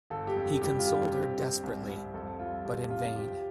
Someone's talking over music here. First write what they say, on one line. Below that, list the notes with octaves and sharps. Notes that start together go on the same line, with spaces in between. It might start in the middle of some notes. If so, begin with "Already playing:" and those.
He consoled her desperately — but in vain.
G1 A4
G4
F2
G3 G4
F4
G3
C4 G4
C4
C2
C2
F2 A4
G3 F4
F2 G4
C3 F4
F3 G4